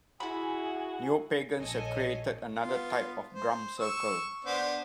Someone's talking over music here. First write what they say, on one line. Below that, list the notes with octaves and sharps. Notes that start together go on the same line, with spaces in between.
Neopagans have created another type of drum circle.
E4 F#4 G#4 G#5 B5
A#1 A4 C#5 D#5 G#5
B3 F4
C5
C#6 E6
B3 D4 C5